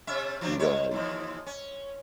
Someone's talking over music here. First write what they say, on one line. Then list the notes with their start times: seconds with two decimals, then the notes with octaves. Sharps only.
Go ahead.
0.07 C3 C#4 E5
0.41 E3 F#3 D4
0.59 G3 C#5
0.91 D#2 E3 F3
1.47 C#4